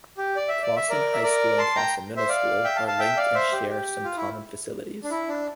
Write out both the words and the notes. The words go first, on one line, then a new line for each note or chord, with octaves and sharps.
Clawson High School and Clawson Middle School are linked and share some common facilities.
G4
D5
E5
D5
E5
A#4 D5
E5
A#4 D5
A5 C6
G5 A#5
C5 E5
D5 F5
E5 G5
F5 A5
F5 A5
E5 G5
D5 F5
C5 E5
G4
G4
F4
E4
D4
E4
D4